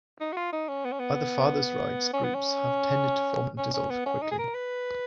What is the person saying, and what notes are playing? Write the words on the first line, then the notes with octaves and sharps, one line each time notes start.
Other fathers' rights groups have tended to form and dissolve quickly.
D#4
F#4
F4
D#4
C#4
B3
C#4
B3
C#4
B3
C#4
C#4
C#4
B3
C#4
D#4
G#4
A#4
B4